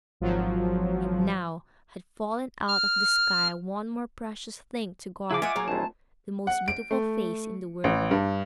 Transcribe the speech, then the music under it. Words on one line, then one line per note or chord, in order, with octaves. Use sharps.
And now had fallen out of the sky one more precious thing to guard--the most beautiful face in the world.
G#1 F3 F#3
F6
C#3 E4 G#4 D6
F4 D#5 E5 F#5 G#5 D6
F#3 A#3 G#4 C#5
A#1 D#2 A3 C4 F4 A5
F#5
D7
A3
A1
G2